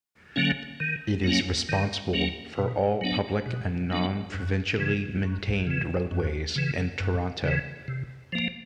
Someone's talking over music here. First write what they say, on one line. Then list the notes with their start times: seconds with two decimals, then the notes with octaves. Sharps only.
It is responsible for all public and non-provincially maintained roadways in Toronto.
0.36 D3 F#3 A#3 C#4
0.80 D#3
1.24 F#3 A#3 C#4
1.69 D#3
2.13 F#3 A#3 C#4
2.58 B2
3.01 F#3 B3 D4
3.46 B2
3.90 F#3 B3 D4
4.34 F#2
4.79 C#3 E3
5.23 F#2
5.67 C#3 E3
6.11 F#2
6.56 C#3 E3
7.00 F#2
7.44 C#3 E3
7.88 C3
8.32 F3 A#3